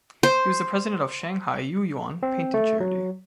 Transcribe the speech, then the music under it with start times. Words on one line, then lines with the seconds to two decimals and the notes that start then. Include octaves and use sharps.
He was the president of Shanghai Yuyuan Painting Charity.
0.23 C5
2.23 C4
2.54 A3
2.80 F#3